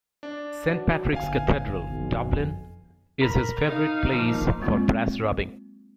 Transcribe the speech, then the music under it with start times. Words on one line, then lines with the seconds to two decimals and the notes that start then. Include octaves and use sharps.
Saint Patrick's Cathedral, Dublin, is his favourite place for brass rubbing.
0.23 D4
0.67 F#3
1.15 G1 E3 F5 G#5
1.87 B1 F2
3.21 A#4 A#5 B5
3.64 D#4 F5
4.13 F3 A#3
4.60 F#3 G#3 A#3 C4 F4